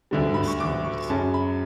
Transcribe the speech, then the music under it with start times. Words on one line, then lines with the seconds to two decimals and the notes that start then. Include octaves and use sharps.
on the stoves.
0.11 D2 D3 G3
0.34 B5
0.48 C#6
0.60 D6
0.85 C#6
1.10 F#2 C#3 F#3 A5
1.34 B5